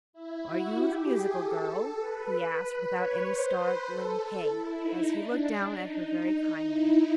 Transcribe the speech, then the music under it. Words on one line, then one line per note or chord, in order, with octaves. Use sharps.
"Are you the musical girl?" he asked, without any startling "Hey!" as he looked down at her very kindly.
E4
F#4
G4
G#4
A4
A4
B4
C#5
C5
B4
A4
E4
D#4
D4
D#4
D#4
D#4
E4